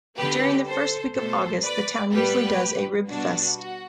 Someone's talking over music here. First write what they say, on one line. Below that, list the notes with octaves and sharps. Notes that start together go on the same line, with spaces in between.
During the first week of August the town usually does a rib fest.
D3 G3 B3 G4 B4
A4 C5
B2 A3 A4 C5
B4 D5
A2 G3 B3 G4 B4
B2 G3 B3 D4 F#4
F#4